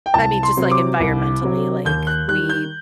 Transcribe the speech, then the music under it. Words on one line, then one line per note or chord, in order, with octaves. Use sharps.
I mean, just, like, environmentally, like, we
G5
C2 A5
C6
C3 F#3
D6
C2
C3 F#3
D#2 G6
F#6
D#3 G3 F#6
G6